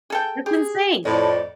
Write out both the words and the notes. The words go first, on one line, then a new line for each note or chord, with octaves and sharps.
That's insane.
G#4 A4 G5
G4 G#4
F2 A2 D5 D#5